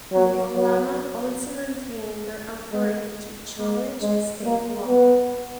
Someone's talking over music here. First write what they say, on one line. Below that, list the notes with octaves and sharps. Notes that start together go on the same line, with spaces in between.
The ulama also maintained their authority to challenge state law.
F#3
F#3
G#3
G#3
G#3
A#3
B3